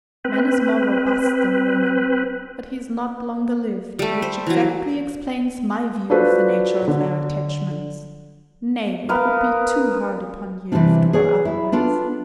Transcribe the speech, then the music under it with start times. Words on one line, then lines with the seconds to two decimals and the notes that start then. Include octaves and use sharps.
Man is more robust than woman, but he is not longer lived; which exactly explains my view of the nature of their attachments. Nay, it would be too hard upon you, if it were otherwise.
0.25 C4 B4
3.99 G3 A3
4.22 C5
4.47 E3 F#3
6.10 D4 F4 F#4 A4 B4 C5
6.88 D3
9.09 B3 A#4 F5
10.72 C3 E3 G3 A#3 C#4 D4
11.13 G#4 B4 C#5 D5 G#5
11.45 E4
11.72 B3 D4 F4 A4